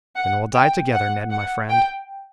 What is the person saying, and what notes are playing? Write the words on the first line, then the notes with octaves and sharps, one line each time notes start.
"Then we'll die together, Ned my friend."
F#5
G5
F#5
F#5
G5